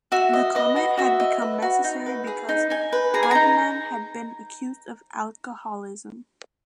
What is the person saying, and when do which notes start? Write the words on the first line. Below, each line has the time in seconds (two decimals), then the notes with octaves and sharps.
The comment had become necessary because Havemann had been accused of alcoholism.
0.12 F#4 E5
0.33 D#5
0.55 B4 D#5
0.76 F#4
0.97 F#4 E5
1.20 D#5
1.42 B4
1.62 F#4
1.84 D#4
2.06 B4
2.27 G#4
2.49 D#4
2.70 D#4 G#5
2.93 B4
3.14 G#4 A#5
3.23 G#5
3.31 D#4 A#5